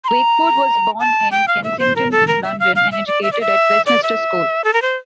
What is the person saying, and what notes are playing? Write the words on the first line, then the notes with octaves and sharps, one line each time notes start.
Wakeford was born in Kensington, London, and educated at Westminster School.
C6
A#5
A5
G5
F5
E5
C5
A#4
A4
A#4
E5
F5
F5
E5
D5
E5
D5
E5
D5
E5
A4
A#4
C5